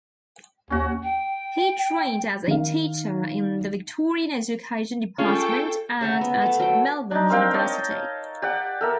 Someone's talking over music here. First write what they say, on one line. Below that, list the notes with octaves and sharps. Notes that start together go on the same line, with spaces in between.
He trained as a teacher in the Victorian Education Department and at Melbourne University.
D#2 C#4 F#4
G5
D#3 F5
C#4 F4 G#4 A4 G5
C#3 E5 F#5 A#5
B3
A3 A4
F#3 G5
D4 D#4
C4 A#4 F5 G5
C#5 D#5 A5
G4 D5 F#5
A4 A#4 E5